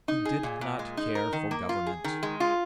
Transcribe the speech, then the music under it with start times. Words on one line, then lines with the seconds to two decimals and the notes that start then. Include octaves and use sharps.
He did not care for government.
0.08 D#4
0.25 G#4
0.43 A#2
0.61 A#2
0.79 G#3
0.97 D#4
1.15 A#4
1.33 D#3
1.51 A#3
1.69 F4
1.86 G#4
2.04 D#3
2.23 G#3
2.40 F4